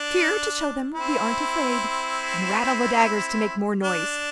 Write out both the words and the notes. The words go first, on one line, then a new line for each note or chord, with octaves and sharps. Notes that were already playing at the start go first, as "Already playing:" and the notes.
'Cheer to show them we aren't afraid, and rattle the daggers to make more noise.
Already playing: D4
C4 E4
D4